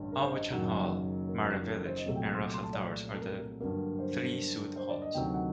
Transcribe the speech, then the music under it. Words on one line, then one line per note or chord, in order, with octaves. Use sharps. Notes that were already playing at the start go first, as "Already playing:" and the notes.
Aubuchon Hall, Mara Village, and Russell Towers are the three suite halls.
Already playing: A1 G2 D3 G3
A#4
C5
D#5
F#1 F#2 D#3 F#3 A#3
A#4
A4
A#4
C5
D#5
C2 A#2 F#3 A3
G5
A#5
C6
D6
C6
A5
D5
A4
A#4
G2 D3 F#3 A#3
C5
C5
D5
D#5
D2 C3 D#3 F#3 G5
F#5